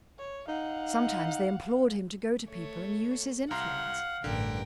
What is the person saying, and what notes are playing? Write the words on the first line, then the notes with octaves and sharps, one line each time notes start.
Sometimes they implored him to go to people and use his influence.
C#5
D#4 F5 F#5
A3 C#5
C2 F5 F#5 A#5 C6
A1 G2 D3 A#4 G5